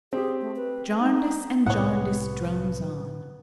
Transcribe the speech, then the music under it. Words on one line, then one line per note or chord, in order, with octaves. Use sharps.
Jarndyce and Jarndyce drones on.
C4 G4 G#4
A3
B4
D#4
C2 A2 B3 C#5 F#5